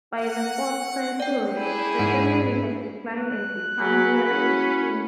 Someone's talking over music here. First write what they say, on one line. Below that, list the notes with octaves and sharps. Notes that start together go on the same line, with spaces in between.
By the fourth century, the family had declined and become nearly extinct.
F#5
D5 G5
D4 E4 G#4 C5
G#2 F#5
F#6
F#3 G#4 G#5 B5
C#4 E4 F#4 F#5